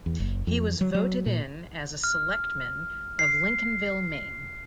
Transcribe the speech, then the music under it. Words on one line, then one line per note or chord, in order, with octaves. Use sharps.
He was voted in as a selectmen of Lincolnville, Maine.
E2
F#1
F2
F#3
F#3
A#2
F6
C7